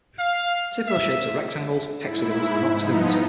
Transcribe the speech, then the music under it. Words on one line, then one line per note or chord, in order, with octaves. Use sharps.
Typical shapes are rectangles, hexagons, and octagons.
F5
E5
G#2 E4
F3 B3 D#4